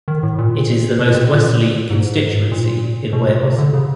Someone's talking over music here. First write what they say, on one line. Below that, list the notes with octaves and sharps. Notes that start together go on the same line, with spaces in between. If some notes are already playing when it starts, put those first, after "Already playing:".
It is the most westerly constituency in Wales.
D#3
A2
A#2
B2
A#2
A2
A#2
G#2
A#2
B2
A#2
C3
D3
C#3